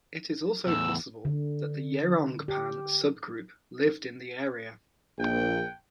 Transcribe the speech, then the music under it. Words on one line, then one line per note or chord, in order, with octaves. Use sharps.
It is also possible that the Yerongpan sub-group lived in the area.
E2 A2 E6
D3
G4
A#1 G5